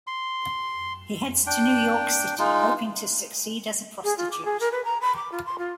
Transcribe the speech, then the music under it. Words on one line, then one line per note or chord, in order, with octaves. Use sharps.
He heads to New York City, hoping to succeed as a prostitute.
C6
D4 G5
G#3 D#4 F4
G#4
F4
D6
G#4
A#4
B4
A#5
B5
D6
F4
C6
F4